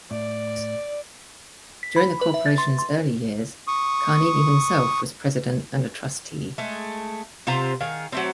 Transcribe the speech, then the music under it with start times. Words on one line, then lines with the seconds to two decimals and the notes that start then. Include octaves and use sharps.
During the corporation's early years, Carnegie himself was president and a trustee.
0.11 A2 D5
1.83 B6
1.96 B5
2.21 B4
2.34 E5
2.46 A6
2.58 C6
2.79 C6
3.68 C#6 D#6
6.58 G#3 A3
7.47 C3 F4 C5 A#5
7.81 D#3 G#4 F5
8.12 F#3 A3 C4